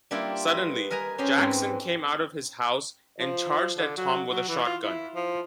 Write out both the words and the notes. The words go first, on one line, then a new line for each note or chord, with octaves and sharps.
Suddenly, Jackson came out of his house and charged at Tom with a shotgun.
G3 A#3 D4 E4 F4
B4 D#5
A#4 B4 D#5 G#5 A#5
C#4 G4 C5 D#5
G#2 C4 B4
F3
D3
F#3
F#3
E3
F4
E4
F3